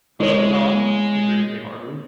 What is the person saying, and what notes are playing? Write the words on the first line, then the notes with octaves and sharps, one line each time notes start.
"Hello, Tom," he greeted me heartily.
G#3 E4 C#5